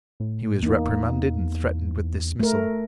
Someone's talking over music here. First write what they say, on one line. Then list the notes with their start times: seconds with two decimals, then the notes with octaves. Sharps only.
He was reprimanded, and threatened with dismissal.
0.20 A2
0.63 E2 A#3 D#4
2.40 A3 A#4